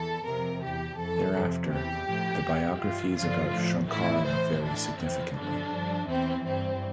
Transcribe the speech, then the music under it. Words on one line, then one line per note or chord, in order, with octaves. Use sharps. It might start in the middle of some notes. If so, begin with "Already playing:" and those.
Thereafter, the biographies about Shankara vary significantly.
Already playing: E2 E3 A4
F2 C3 F3 A#4
E2 E3 G4
F2 E3 A4
F2 C3 F3
E2 E3 G4
A2 F3
E2 E3
G2 E3 F4
G2 D3 F3 F4
A2 F3
A2 E3 E4
A2 E3 C5
A2 E3 D4
F2 E3 C4
G2 D3 F3 D4
G2 F3
E2 E3 C4
G2 E3 C4